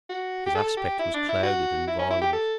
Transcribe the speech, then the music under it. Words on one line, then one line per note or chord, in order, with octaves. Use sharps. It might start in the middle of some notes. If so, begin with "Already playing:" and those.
His aspect was clouded and violent.
F#4
G4
A4
G4
E4
D4
E4
F#4
E4
C#4
E4
G4
A4